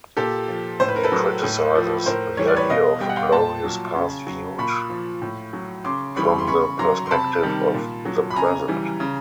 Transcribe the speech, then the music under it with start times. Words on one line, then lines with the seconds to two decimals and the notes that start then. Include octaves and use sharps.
He criticizes the idea of a glorious past viewed from the perspective of the present.
0.17 A#2 G4 A4
0.48 F3
0.80 A2 C5
0.88 B4
0.96 A#4
1.03 A4 B4
1.12 F#3
1.43 A2
1.75 F3
2.06 A2 A#4 C5
2.37 E3 G3 C#5
2.48 D5
2.56 B4 C#5
2.70 B2 D#5 F5
3.00 G3 G5
3.09 F#5
3.16 F5 G5
3.32 A#2 G5 A5
3.64 F#3
3.95 C#3
4.27 F#3
4.59 A#2 B5 C#6
4.90 F3
5.22 A2
5.53 F#3
5.84 C#3 C6 D6
6.16 E3 G3 B5 C#6
6.38 C6
6.47 C#3 B5 C#6
6.79 F#3 A#5 C6
7.06 C6
7.11 C3 A5 B5
7.43 D#3 G3
7.74 A#2
8.05 F#3
8.30 B5
8.36 C#3 G#5 A#5
8.68 E3 G3
9.00 C#3